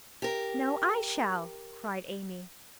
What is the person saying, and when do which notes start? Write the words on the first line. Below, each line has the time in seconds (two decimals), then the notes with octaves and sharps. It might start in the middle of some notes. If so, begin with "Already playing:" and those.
"No, I shall!" cried Amy.
0.22 G4 A#4